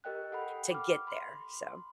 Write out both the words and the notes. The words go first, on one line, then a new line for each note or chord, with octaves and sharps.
to get there, so
G4 A#4 D#5 G5 F#6
A4 F#5 G5 B5
D6 F6
B5 C6